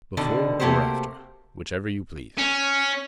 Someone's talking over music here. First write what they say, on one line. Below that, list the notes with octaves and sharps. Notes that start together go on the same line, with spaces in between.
"Before or after, whichever you please."
B2 D3 D#3
C3 A3 A#3 F#4 G4 C5
C#4